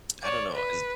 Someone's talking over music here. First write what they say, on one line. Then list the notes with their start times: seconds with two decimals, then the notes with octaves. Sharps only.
I don't know, is d
0.23 C#5 D5
0.54 B4